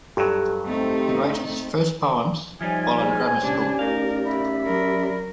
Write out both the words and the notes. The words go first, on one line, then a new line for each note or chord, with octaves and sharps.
He wrote his first poems while in grammar school.
G2 F#3 G4 A4
A3 C4 D#4
F3 G3 D#4 C5 C#5 E5 G#5
G#4 F6
C#2 A#2 C#4 D4 G4 D5
A3 D#4 A#4 F5
E5 B5
F#3 A#4